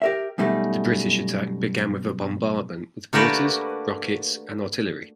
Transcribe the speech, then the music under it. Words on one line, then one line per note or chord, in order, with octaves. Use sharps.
The British attack began with a bombardment with mortars, rockets, and artillery.
G4 A#4 E5
F#2 B2 G3 A3 D#4 G#4
A3 A#3 D4 F#4 G4 B4